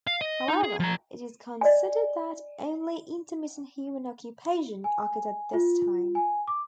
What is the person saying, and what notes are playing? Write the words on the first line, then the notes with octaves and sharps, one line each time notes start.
However, it is considered that only intermittent human occupation occurred at this time.
F5
D#5
D#4
G#4
F3 A#5
D5 D#5 G#5
G#5
F4
G#5
D6